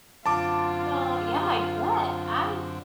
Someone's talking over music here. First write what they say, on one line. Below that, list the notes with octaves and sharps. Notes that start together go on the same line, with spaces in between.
No, yeah, I bet. I
F#2 D3 C4 F4 A5 D6